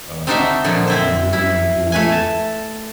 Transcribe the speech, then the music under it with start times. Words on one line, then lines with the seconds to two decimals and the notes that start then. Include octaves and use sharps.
um, I really enjoyed.
0.27 C4 D4 D#4 F#4 C5 E5
0.64 A#2 D3 F3 F#3
0.88 C4 E4 C5
1.33 E4
1.92 A3 B4 G#5
2.12 A5